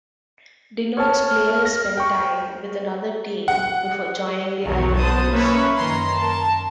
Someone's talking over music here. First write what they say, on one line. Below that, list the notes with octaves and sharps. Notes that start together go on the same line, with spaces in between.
Denotes player spent time with another team before joining the Islanders.
C#5 A5 F6
A#6
G5 C#6
F#5
B1 E2 D#3 F#3 C#5
B3 C5 A5 D#6
A#3 C#4 B4 C#5 E5
F#2 D#3 A#5 C6
A#4 A5